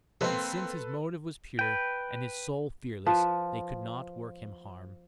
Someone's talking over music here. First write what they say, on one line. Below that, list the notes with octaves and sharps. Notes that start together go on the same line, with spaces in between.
And, since his motive was pure and his soul fearless, they could not work him harm.
C3 F3 G#3 A#3 C4 A4 B4 C6
B4 G5
F3 B4